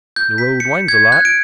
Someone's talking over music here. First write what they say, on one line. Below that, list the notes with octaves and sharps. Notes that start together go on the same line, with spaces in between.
The road winds a lot.
G6
B6
C#7
G#6
F#6
D7